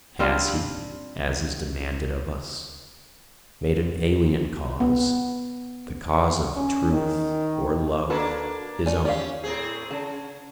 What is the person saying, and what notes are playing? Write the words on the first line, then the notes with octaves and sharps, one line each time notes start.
Has he, as is demanded of us, made an alien cause, the cause of truth or love, his own?
G3 C4 D4 F4
B3
C#4
D#3
A#3 D4 F#4 A4 B4
A3 D5 G#5
C#4 G4 D5 F5
A2 C4 G#4
C#3 A5